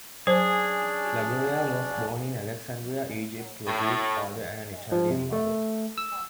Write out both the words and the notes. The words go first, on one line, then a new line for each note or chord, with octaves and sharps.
Lagoya was born in Alexandria, Egypt, to a Greek father and an Italian mother.
F#3 C#4 D4 G#4 C5 D5
A2
F3
C3
A3
E6